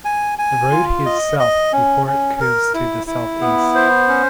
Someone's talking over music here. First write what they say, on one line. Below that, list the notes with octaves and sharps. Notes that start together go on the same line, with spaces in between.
The road heads south before it curves to the southeast.
G#5
G#5
F4
D#5
D#5
C#4
C#4
A#4
E4
E4
B3
C5
C#4